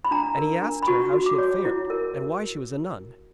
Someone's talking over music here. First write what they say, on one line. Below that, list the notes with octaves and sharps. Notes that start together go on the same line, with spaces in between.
And he asked her how she had fared, and why she was a nun.
B5
D4 A#5
A#4
D4
B5
F#4 C#6
F#4
D6
C#5
E4
A#4